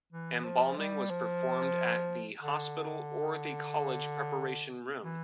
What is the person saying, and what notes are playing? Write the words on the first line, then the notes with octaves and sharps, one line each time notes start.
Embalming was performed at the hospital or the college preparation room.
E3
F3
G3
F3
D3
E3